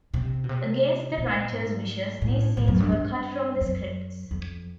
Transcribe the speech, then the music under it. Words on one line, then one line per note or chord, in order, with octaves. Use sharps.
Against the writer's wishes, these scenes were cut from the scripts.
C3
B2
C3
A#2
G#2
A2
A2
F#2
G2
G2
F#2
F2